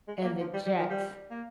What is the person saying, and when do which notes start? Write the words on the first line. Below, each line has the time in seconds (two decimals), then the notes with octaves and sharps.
and the jets,
0.08 G#3
0.24 A#3
0.40 F3
0.54 G3
0.66 G3
0.79 F3
0.90 G3
1.31 A#3